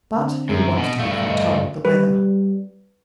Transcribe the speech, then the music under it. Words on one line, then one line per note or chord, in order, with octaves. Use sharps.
But who wants to be foretold the weather?
D3 C4 D4
F#2
B2
G2 A3 F5
D#2 D#5
G3 B4